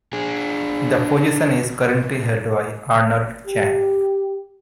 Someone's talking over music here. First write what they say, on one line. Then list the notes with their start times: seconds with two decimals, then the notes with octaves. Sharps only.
The position is currently held by Arnold Chan.
0.13 D4 G#4
3.47 G4